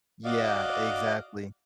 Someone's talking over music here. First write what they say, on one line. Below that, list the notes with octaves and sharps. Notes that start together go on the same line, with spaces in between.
Yeah, exactly.
F#4 D5 D#5 F5 D6